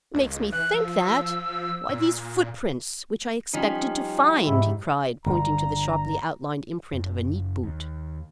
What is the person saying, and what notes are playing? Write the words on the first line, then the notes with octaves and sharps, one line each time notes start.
"What makes me think that?--Why these footprints, which I expected to find!" he cried, pointing to the sharply outlined imprint of a neat boot.
C#2
E3 F#6
F3 E6
A#2
F3 G3 C#4 D#4
G#2 E4
G1 G3 A#5
F#1
D#2